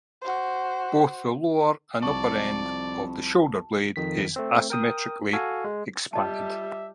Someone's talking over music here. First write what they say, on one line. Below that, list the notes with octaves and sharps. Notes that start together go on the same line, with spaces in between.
Both the lower and upper end of the shoulder blade is asymmetrically expanded.
F#4 C5
C2 F2 D5 A5 C#6 F#7
F2 D#3 B6
A3 C4
A#4 G5 D#6
F#4 A4 F5 G#5
G#3
G3 F4 G4 D#5 E5 A5